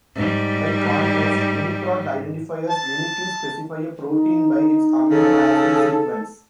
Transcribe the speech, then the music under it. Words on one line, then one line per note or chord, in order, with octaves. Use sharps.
By contrast, UniProt identifiers uniquely specify a protein by its amino acid sequence.
G#2 G3
A5
D#4
C#3 A4